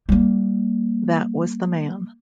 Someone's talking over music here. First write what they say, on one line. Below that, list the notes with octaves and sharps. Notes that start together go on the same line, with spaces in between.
That was the man.
G3 A#3